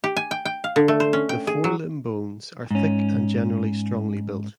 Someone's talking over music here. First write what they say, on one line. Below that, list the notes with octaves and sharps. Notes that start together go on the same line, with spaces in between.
The forelimb bones are thick and generally strongly built.
G4
G#5
G5
G5
F5
D3
A3
C5
C#4
G5
G#4
F#3
G#2 C#4